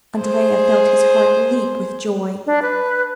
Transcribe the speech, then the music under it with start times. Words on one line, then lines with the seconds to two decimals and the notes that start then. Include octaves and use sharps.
Andrea felt his heart leap with joy.
0.20 G#4 C5
2.46 D4
2.62 B4